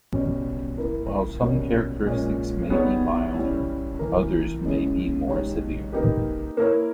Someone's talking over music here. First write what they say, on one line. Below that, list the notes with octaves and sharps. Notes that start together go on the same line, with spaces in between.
While some characteristics may be milder, others may be more severe.
B2 G3 C#4
A#3 E4 A#4
B2 G3 A#3 C#4
A#2 G#3 C#4
G3 B3 D#4 G#4 C#5
G3 C#4 E4
E3 A#3 E4 A#4
C#3 G#3 C#4 E4 G#4
G#3 D#4 G4 C#5
A#3 D#4 G4 B4
A#3 E4 A#4 C#5